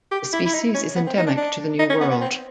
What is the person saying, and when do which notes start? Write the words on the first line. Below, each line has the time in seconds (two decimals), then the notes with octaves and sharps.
The species is endemic to the New World.
0.11 G4
0.33 E4
0.45 E4
0.54 D#4
0.74 C#4
0.96 B3
1.07 C4
1.17 D#4
1.27 D4
1.37 D4
1.79 D#4
1.90 C#4
2.01 B3
2.11 B3
2.21 C4